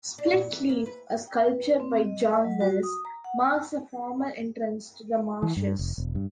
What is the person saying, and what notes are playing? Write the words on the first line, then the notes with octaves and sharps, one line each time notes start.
"Split Leaf", a sculpture by Jon Mills, marks the formal entrance to the marshes.
D4
A#2
E3
A#3
B4
G5
B4
C4
D#5
F#3
F#4
D#6
A#5
F#5
E3
G2
F1
E1
G2